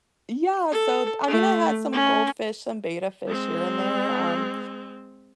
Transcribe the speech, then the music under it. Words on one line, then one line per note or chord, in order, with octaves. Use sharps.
Yeah, so, d I mean, I had some goldfish and betta fish here and there, um,
A4
A3
C#4
G#3 C4